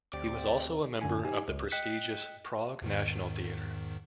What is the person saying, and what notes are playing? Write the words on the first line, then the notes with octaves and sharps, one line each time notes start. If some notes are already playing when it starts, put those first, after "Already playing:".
He was also a member of the prestigious Prague National Theatre.
D2 C4 G4 D5
F#2 D3 G#5
D#4 G4 G#5
C#2
D#5 G5 F#6 B6 C#7
E2 G#2 D#3